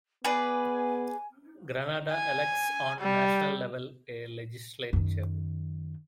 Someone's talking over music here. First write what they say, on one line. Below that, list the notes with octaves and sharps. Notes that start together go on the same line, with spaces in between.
Grenada elects on national level a legislature.
B3 G#4 B4 D5 G#5
G#5
G3
F#2 D#3